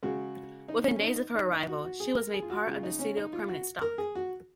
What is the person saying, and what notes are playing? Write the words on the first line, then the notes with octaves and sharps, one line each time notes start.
Within days of her arrival, she was made part of the studio permanent stock.
C#3 G#3 F#4
D#4
C#4
C#4
D#4
D#4
D#4
F#4
F#4
G#4
A#4
G#4
F4
F#4
C#3 G#3 F4
D#4
C#4
D#4
F4
F#4
A#4
G#4
F#4